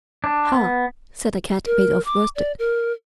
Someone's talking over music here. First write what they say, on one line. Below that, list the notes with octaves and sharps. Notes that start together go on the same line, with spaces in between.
"Ha!" said the Cat-made-of-worsted.
D4
B3
A#4
D6
D5
A#4